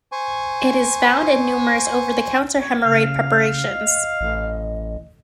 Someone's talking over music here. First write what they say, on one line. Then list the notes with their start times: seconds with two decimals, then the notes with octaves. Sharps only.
It is found in numerous over-the-counter hemorrhoid preparations.
0.12 C5 G#5 C#6
2.61 C#5
2.83 C#3 F5
3.72 D#5
4.21 A1